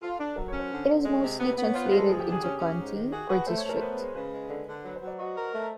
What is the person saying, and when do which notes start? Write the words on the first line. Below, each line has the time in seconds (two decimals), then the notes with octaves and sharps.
It is mostly translated into "county" or "district".
0.02 F4 A4
0.19 D4
0.36 F#3 A#4
0.48 C#5
0.53 C#4
0.59 C5
0.71 D3
0.88 D3
1.05 G#3
1.22 C3
1.40 B3 B4
1.51 B4
1.57 B3
1.63 C#5
1.74 F4 C5
1.86 B4
1.91 G#3
1.97 A4
2.09 F3 G#4
2.20 G4
2.26 D3
2.32 G#4
2.43 C#4 G4
2.60 C#4
2.78 G#2
2.95 D#3
3.12 F#4 G#4
3.29 F#4 B4
3.47 A3 C5
3.58 C#5
3.64 A3
3.69 A#4
3.76 C5
3.81 B3 B4
3.99 G#3
4.15 C#3 B4
4.32 G#3
4.50 D3
4.67 D3
4.84 F#3 B4
4.96 C5
5.01 F#3
5.07 D5
5.19 F#4 D#5
5.36 A#4
5.54 A3